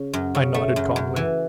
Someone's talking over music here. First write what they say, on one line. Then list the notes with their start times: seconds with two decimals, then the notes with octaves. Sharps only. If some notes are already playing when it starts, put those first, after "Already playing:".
I nodded calmly.
Already playing: C#3
0.13 F#2
0.35 C#3
0.54 A3
0.76 F#2
0.96 F#2
1.16 E3